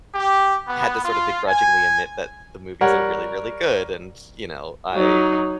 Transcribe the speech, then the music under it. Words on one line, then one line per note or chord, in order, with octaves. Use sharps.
had to sort of begrudgingly admit that the movies are really, really good. And, you know, I
G4
B3
F4
G#5
G3 A#4 C#5 F#5
F#3 D#4